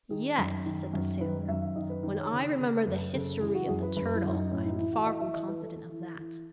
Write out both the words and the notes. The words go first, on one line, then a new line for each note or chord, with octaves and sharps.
"Yet," said the sailor, "when I remember the history of the turtle, I am far from confident of that."
D#3 G#4
F#2
D#3
F#2
D#3 B4
F#2 E5
E5
D#3 D#5
B4
D#3
C#5
C#3
C#3
F#2 B4
C#3 A4
E3 G#4
F#4
F#2 G#4
B4
F#2 B4
E4
F#2 C#4
D#4
A2 C#4
D#4
E3 E4
F#4
E3 D#5
E5
E3 D#5
B4
E3 A4
E3
E3